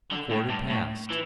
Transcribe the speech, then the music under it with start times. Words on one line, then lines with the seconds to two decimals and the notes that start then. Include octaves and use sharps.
A quarter past.
0.11 D3
0.31 A2
0.50 G2
0.70 A2
1.10 E3